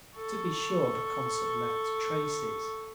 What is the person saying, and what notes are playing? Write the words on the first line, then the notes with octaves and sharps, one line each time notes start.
To be sure, the concert left traces.
A4 C#6